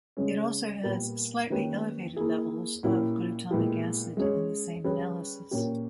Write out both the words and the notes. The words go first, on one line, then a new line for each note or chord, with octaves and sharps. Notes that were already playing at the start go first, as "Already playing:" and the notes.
It also has slightly elevated levels of glutamic acid in the same analysis.
C#3 G#3 C#4
A#2 G3 B3 G4 A#4
D#3 A#3 C#4 G4 B4
A#3 E4 G#4
A#2 A#3 C#4 E4 G4
A#2 G#3 B3 E4 G4
G#3 C#4 G#4 C#5
G3 C#4 G#4 B4
A#2 A#3 C#4 G4